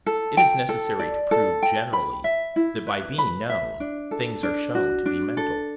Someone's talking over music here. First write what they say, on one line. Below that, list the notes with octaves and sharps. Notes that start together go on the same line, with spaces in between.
It is necessary to prove, generally, that by being known, things are shown to be mental.
A4
G5
A4
D5
A4
G5
B5
E5
E4
B4
B5
E5
D4
A4
D4
F#4
D4
A4